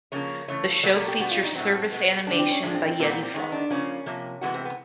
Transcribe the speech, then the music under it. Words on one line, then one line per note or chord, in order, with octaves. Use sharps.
The show features service animation by Yeti Farm.
C#3 F3 A#3 C#5
C#3 E3 A3 C#5
B2 F#3 A#3 D5
A4
G4
B2 G3 B3 F#4
F4
D#4
A2 F#3 B3 C4
B2 G#3 B3
D3 G3 B3 D4
C4
C#4
A2 F3 G#3 D4
C4
C4
A#2 G3 A#3 C4
B3
C4
D#3 G#3 B3 C#4
D4
C#3 F3 A#3 C#4
C3 F3 A#3
C3 E3 G#3 B3 F#4
C4
B3